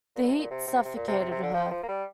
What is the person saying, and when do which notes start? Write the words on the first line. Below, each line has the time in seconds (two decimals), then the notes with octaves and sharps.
The heat suffocated her.
0.16 A#2
0.23 D3
0.28 C3
0.39 A#2
0.51 C3
0.67 C3
0.85 C3
0.96 A#2
1.08 C3
1.20 C3
1.31 C3
1.43 D3
1.54 F3
1.71 F3
1.83 A#3
1.88 G3